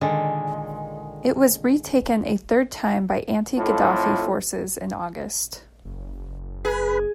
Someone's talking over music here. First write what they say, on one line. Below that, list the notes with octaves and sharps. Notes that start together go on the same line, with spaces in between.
It was retaken a third time by anti-Gaddafi forces in August.
A#2 D3 D#3 G#3
F2 A2 F4 A4
F#1
G#4 B4